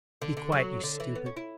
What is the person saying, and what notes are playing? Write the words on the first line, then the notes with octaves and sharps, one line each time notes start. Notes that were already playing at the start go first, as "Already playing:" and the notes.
Be quiet, you stupid!
D3
D3
F#3
D3
E3
B3
C#4
E4